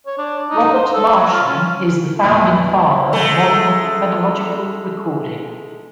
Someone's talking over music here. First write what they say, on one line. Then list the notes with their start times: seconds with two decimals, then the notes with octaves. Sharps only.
Robert Marsham is the founding father of modern phenological recording.
0.07 C#5
0.18 D4
0.50 D#4
0.74 C5
0.94 A4
1.15 F#3
1.33 F4
1.48 C#4
2.23 B1 E2 A#2
3.13 G#3 A3